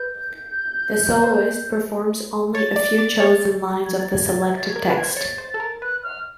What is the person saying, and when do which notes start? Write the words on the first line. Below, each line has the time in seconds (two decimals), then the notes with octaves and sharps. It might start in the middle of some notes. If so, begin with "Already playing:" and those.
The soloist performs only a few chosen lines of the selected text.
Already playing: B4 G6
1.24 C5
2.54 C#5 A6
2.76 D5
2.98 D5
3.20 C#5
3.86 G#6
4.00 A6
4.13 G#6
4.27 A6
4.42 G#6
4.56 A6
4.69 G#6
4.76 A#4
4.83 A6
4.90 B4
4.97 G#6
5.03 C5
5.17 C#5 A6
5.38 C5
5.49 A6
5.54 A4
5.60 A#4
5.82 B4 F#6
6.03 F6